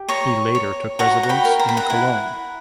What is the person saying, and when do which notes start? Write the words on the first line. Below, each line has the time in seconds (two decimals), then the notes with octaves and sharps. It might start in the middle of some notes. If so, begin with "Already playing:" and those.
He later took residence in Cologne.
Already playing: G4
0.09 C#5 A#5 C#6
0.55 C#5
0.99 F#4 A#5 C#6
1.23 A#5
1.29 G5 B5
1.45 A#4
1.59 A#5
1.69 B5
1.77 F#5 A#5
1.90 E4 F#5